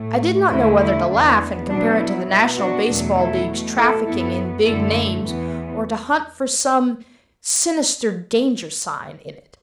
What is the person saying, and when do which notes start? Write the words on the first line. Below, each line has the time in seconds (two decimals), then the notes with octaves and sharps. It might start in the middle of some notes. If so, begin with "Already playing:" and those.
I did not know whether to laugh and compare it to the National Baseball League's trafficking in "big names," or to hunt for some sinister danger sign in it.
Already playing: A2 A3
0.51 E2 D3 A3 E4
0.81 E4
1.10 E2 E3 B3 D4
1.69 B2 F#3 B3 D4
1.99 E4
2.29 B2 B3 E4
2.58 D4 F#4
2.87 E2 B2 F#3 A3
3.17 E4 A4
3.47 B2 A3
3.77 E4 A4
4.06 F#2 F#3 B3 E4 A4
4.65 F#2 D3 A3 E4 A4
5.24 E2 E3 B3